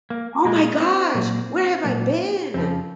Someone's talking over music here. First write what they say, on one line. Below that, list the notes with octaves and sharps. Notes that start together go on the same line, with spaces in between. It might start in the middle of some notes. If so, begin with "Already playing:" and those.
Oh my gosh, where have I been?!
A#3
A#2 G#3 A#3
C4
A#2 F#3 A#3
A#2 F#3 A#3
F2 C#3 F3 C4